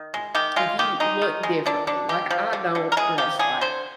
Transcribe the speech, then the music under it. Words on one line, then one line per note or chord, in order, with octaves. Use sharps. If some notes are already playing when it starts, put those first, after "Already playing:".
mm if you look differently like, I don't dress like
Already playing: D#3
G#3
D#3 G4
G#3 F4
D#3 G4
G#3 D#4
D#3
G#3
D3 D4
D3 D4
G#3 G4
F3
D3
D3
A#4
G#3 G#4
F3 G4
D3 G#4
D3 C5